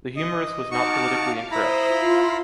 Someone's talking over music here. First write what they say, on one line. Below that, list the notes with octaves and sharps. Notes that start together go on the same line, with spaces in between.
The humorist was not politically incorrect.
D#5
D#4 F#4 A5 C#6 D6 F6
F5
E4 C5 A#5 B5 D#6
F4 C6